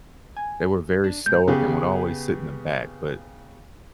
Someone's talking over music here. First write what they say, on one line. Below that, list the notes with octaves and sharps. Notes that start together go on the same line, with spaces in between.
They were very stoic and would always sit in the back, but
G#5
D4
A#2 G#3 G6
C#3 B3 G4 G#4 B4